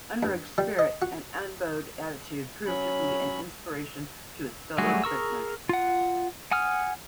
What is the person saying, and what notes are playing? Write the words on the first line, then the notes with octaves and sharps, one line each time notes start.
Unrug's spirit and unbowed attitude proved to be an inspiration to his fellow prisoners.
G2
G3
D#5
F#4
F#3 C#4 B5
F#3 G3 A3 F#4 G#4
G#4 A#4 C#6 E6
F4 F#5
F#5 G#5 D#6 F6